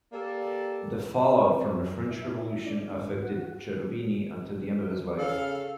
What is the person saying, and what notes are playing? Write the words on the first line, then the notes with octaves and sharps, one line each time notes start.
The fallout from the French Revolution affected Cherubini until the end of his life.
A#3 G4 A4 D5
C4
F#2
E4
D4
D4
G#2
F#4
C#3 A4 F5